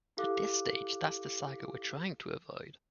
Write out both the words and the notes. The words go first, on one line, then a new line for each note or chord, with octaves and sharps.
At this stage that's the saga we're trying to avoid.
E4 G4 A4 F5 D6 F#6